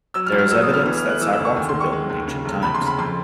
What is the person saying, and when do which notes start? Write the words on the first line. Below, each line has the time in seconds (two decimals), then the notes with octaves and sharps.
There is evidence that sidewalks were built in ancient times.
0.14 F#3 E6
0.26 F6
0.32 A1
0.39 F6
0.50 F#3 E6
0.62 D#6
0.68 B3
0.74 F6
0.85 E3 F6
0.98 F6
1.04 A3
1.09 F#6
1.21 E3 E6
1.33 E6
1.39 D2
1.45 C#6
1.56 D#2 G#5
1.69 C6
1.74 D#3
1.80 C#6
1.92 G#3
2.10 D#2
2.28 C#3
2.45 F1
2.62 E2 B5
2.75 C6
2.81 C#3
2.86 B5
2.98 F2 C6